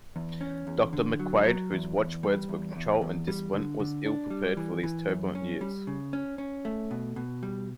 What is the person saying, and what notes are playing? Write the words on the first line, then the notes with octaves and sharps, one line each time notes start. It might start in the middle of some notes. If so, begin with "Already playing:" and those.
Doctor McQuaid, whose watchwords were control and discipline, was ill-prepared for these turbulent years.
E2
C#4
E2
D3
F#3
F#3
E2
E2
G3
E2
E2
E2
G3
D3
D3
D4
G3
E3
E3
F#2
C#4
G3
C#3
C#4
C#4
A3
B2
B2
G3